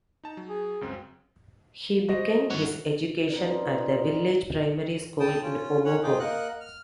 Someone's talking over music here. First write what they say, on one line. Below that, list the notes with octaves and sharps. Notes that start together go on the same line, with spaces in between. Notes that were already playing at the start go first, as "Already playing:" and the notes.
He began his education at the village primary school in Umuagu.
D#4 A5
F#3
G#4
C#2 F#2 C4
F#4 C5 D#5 A#6
G2 C#4 E4 F#5 C#6
C4 C#4 D#4 F4 B4 D5
G5 A5 D#6
C#4 F4
C#4 C#5 F#5
D#4 F4 G#4 G5 D6
A#3 A#4 D#5 F#5 F#6
F6